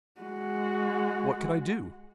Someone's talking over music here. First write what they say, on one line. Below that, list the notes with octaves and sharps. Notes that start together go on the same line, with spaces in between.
What could I do?
G#3 F#4